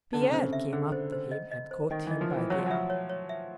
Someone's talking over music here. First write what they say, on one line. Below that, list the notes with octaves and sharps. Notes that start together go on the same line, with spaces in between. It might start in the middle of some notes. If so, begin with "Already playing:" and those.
Pierre came up to him and caught him by the arm.
D3 D#4
C#3
C3
C#3 C5
E5
D3 G#4
C5
C5
D#5
D#5
C5
D#3 D#5
E3
D#5
F3
C5
E3
F#3 C#5
F3
F#3 E5
C#5
C#5
E5